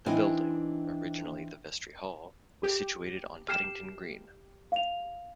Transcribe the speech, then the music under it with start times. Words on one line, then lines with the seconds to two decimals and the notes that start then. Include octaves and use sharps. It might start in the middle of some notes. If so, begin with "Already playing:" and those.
The building, originally the Vestry Hall, was situated on Paddington Green.
0.06 E3 C4 D4 D#4 D#5 G#5
2.63 G4
3.48 G4 F6 C7 E7
4.72 F5 F7